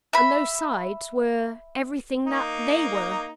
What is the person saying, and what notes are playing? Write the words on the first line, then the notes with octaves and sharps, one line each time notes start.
And those sides were--everything that THEY were!
E5 B5
A#3 D#4